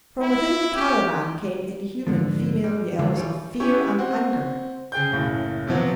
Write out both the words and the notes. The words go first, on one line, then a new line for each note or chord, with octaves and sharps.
From within the caravan came inhuman female yells of fear and anger.
E4
G4
G#2 B2 D3 F3
G3
D#2 D3 E3 G3 G#3 A#3
E3 F3 G3 F4 C#5
C#4 E4 G4 C#6
C4 F#4
C#3 G#4 G5 G6
F#1 A2 C#3
C3 F3 F#3 B3